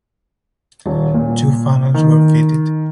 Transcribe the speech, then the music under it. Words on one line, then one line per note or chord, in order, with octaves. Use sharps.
Two funnels were fitted.
D#1
A#2
D#3